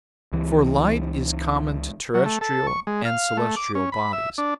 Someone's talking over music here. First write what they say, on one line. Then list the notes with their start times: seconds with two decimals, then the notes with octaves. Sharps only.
For light is common to terrestrial and celestial bodies.
0.32 C#2 E3
2.14 F#3
2.26 A3
2.41 A4
2.67 C#6
2.87 G#3
3.05 F5
3.37 A3
3.56 D6
3.75 C#4
3.92 B5
4.13 E5
4.38 D4